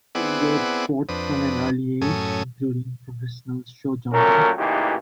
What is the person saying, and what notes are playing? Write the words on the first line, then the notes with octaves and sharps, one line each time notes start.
She enjoyed sports from an early age, including professional showjumping.
B3 C4 E4 G#4 D5 F#5
F2 C4 D4 B4 D#6
F#2 A2 C#4 A4 G#5 D#6
A#2 F#3 A3 C#4 A#4
A1 A#2 C#3 E3 D#4 G4